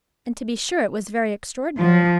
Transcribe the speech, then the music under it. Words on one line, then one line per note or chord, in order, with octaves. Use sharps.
And to be sure it was very extraordinary.
F3